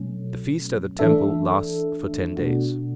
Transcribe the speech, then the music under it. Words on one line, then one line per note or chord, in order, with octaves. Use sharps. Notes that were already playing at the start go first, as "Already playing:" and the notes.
The feast at the temple lasts for ten days.
Already playing: B2 F#3 A3 C#4
E3 A3 D4 A4 E5
B2 A3 D4 F#4